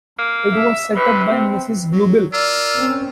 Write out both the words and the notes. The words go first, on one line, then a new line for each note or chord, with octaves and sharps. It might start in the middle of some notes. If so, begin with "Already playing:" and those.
It was set up by Ms. Glubbil.
A#3
E5
C3 B4
C4
F#3
F4 A#4 D5 E6
C4 C#4